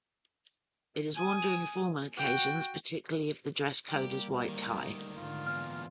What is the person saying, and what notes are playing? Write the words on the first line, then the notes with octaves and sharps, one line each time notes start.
It is worn during formal occasions, particularly if the dress code is white tie.
G#5 D#6
F#4 G5
G3 A#3 G4
D2 D#3
G#2 D3 F4
E2 A#2 F6